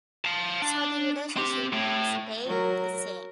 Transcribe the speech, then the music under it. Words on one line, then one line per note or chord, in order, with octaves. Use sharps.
So the relationship stayed the same.
F5 A5
D4
C4 G4
A2
F#3 A#4